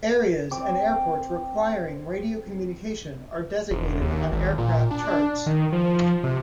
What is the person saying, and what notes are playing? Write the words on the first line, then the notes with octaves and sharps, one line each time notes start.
Areas and airports requiring radio communication are designated on aircraft charts.
C4 D6
E1
D#2
G#1
A#2
D4
D#3
F3
C3